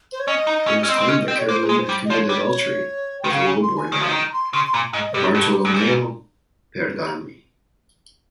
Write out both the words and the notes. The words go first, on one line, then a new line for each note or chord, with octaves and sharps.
It was claimed that Caroline had committed adultery with a low-born man: Bartolomeo Pergami.
C5
C#5
C#4 D#5
D#4
C#4
C#4
C4 D#5
C4
C#4
C4 D#5
C#5
A#3 C5
G#4
G#3
C5
G3
D#5
F3 C#5
G3
D#3 G5
C#3 F5
G#5
C6
G#5
D#3
F3
D#3 A#5
C6
C#3 C6
C6
A#2 A#5
G#2 D#5
G2 G4
G2
G2
G#2